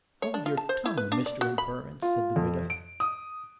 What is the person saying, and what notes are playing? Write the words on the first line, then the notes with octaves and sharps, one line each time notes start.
"Hold your tongue, Mr Imperence," said the widow.
C#5
D4
F4
A5
C5
E4
B4
D4
D5
F#4
B5
F4
F2
D7
D#6